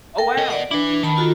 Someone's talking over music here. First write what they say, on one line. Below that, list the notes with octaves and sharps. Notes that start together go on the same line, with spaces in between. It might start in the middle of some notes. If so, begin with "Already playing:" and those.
Oh wow.
A4 A#4 G5
B3 D#5
D5 F#5
D4 E4 B4
D#3 A5 B5
F4 F#4 A4